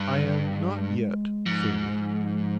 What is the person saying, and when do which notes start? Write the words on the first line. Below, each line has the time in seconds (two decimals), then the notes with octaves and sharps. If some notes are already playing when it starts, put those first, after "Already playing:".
'I am not yet thirty.'
Already playing: G2
0.16 D3
0.24 D#3
0.31 D3
0.60 G#3
1.46 G#2 F3